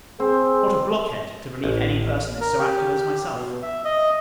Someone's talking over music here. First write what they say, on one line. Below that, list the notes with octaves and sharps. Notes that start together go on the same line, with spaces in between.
What a blockhead, to believe any person is so active as myself!
C4 G#4
A1
A#4
G4
B2
E5
D#5